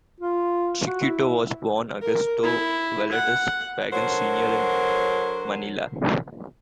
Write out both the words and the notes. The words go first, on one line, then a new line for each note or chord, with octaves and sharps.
Chiquito was born Augusto Valdes Pangan, Senior in Manila.
F4
F#4
E4
A#4
E4
F#5
D3 F#3 A#4 C5